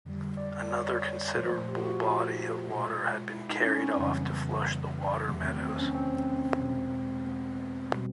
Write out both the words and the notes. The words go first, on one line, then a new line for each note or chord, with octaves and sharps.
Another considerable body of water had been carried off to flush the water meadows.
F2 D3 G3
D5
C#5
A#2 F3 A3 C5
G4
F#4
F4
B2 G#3
E4
D#4
C#4
C#4
C4
F2 C#3 E3 G3 B3
E2 C3 D#3 F#3 A3 B3
C4
C4
C#4
C4
E2 B2 G#3 C4
B3
B2 G3